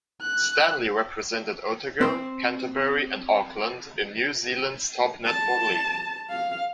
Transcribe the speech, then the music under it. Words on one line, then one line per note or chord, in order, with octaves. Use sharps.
Stanley represented Otago, Canterbury and Auckland in New Zealand's top netball league.
F#6
C4 C5
A5
F5